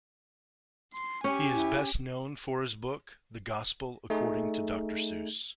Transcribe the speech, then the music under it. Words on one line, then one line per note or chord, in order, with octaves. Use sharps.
He is best known for his book "The Gospel According to Doctor Seuss".
C6
C#4 G4 G#5
E4
A3 D#4 G#4